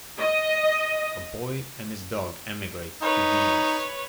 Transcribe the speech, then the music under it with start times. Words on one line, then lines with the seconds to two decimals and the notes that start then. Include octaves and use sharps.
A boy and his dog emigrate to Venus.
0.18 D#5
3.02 D#4 B4 C#5